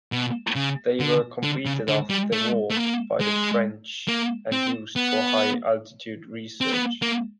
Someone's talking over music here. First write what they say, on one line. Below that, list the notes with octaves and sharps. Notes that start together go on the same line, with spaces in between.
They were completed after the war by the French and used for high-altitude research.
B2
C#3
D3
D3
C#3
D3
G3
A3
A3
A#3
G#3
A#3
C4
B3
C4
B3
A#3